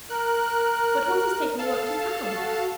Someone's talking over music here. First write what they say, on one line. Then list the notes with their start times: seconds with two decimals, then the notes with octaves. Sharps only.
But what is taking you up to town?
0.10 A#4 F#6
1.59 A4 F5 A5
2.34 F#4